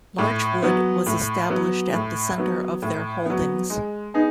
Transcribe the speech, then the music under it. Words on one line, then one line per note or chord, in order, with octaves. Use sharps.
Larchwood was established at the center of their holdings.
A2
F#3 B3
A2
F#3 B3
A2
F#3 B3
A2
F#3 B3
G#3
B3 D#4 G#4